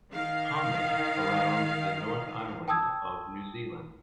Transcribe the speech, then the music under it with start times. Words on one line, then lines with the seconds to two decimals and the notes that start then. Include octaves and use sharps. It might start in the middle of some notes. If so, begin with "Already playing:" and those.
Common around the North Island of New Zealand.
0.13 D#3 F5
2.68 G5 A5 D#6 E6 G#6